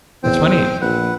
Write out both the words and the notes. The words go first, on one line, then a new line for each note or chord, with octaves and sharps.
That's my name.
E2 C4 C5 G5
A#1 B4 F#5